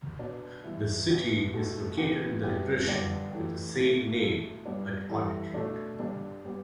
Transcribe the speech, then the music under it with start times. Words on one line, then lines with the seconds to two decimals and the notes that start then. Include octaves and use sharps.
The city is located in the depression with the same name, at altitude.
0.19 B2 B3 D4
0.64 E3 G3 B3 E4
1.09 B2 B3 E4 G4
1.54 B2 A3 G4
1.97 E3 B3 G4
2.43 B2 G3 B3 E4 G4
2.87 G2 D3 B3 D4 G4
3.31 E3 A3 G4
3.76 B2 A3 E4
4.21 B2 A3 E4 A4
4.65 G2 G3 B3 D4
5.10 E3 G3 E4 A4
5.54 B2 A3 D4
5.99 G2 G3 D4
6.45 G3 B3 G4